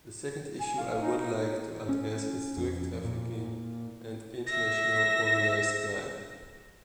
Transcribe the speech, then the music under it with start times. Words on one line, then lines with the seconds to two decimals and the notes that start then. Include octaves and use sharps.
The second issue I would like to address is drug trafficking and international organized crime.
0.60 G#5
0.77 F5
1.00 D#4
1.19 D#4
1.89 C#4
2.57 F2
3.05 A#2
4.47 E5 A#6